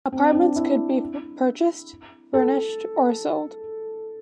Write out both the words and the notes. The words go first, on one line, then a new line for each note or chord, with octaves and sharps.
Apartments could be purchased, furnished, or sold.
C4
D4
E4
A4